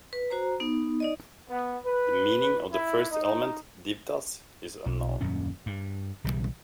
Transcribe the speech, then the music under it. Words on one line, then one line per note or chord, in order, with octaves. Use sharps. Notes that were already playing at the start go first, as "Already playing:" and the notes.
The meaning of the first element "divtas" is unknown.
B4
F#4 C5 A#5
B3 D#4
D#4 D5 D#5
B3
B4
E4
D#4
B1
D#1 F#2 A#2 C#4
G2
B1 C#3 E3 G3